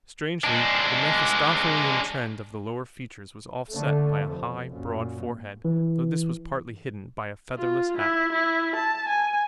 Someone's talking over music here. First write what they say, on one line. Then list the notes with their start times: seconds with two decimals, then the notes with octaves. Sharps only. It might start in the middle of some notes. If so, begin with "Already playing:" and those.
Strangely, the mephistophelean trend of the lower features was offset by a high, broad forehead, though this was partly hidden by a featherless hat.
0.44 G#3 D4
3.70 D3 A3
4.26 F1
4.70 F#2 A#2
5.65 E3
7.58 F4
7.97 E4
8.32 E4
8.76 A5
9.09 G#5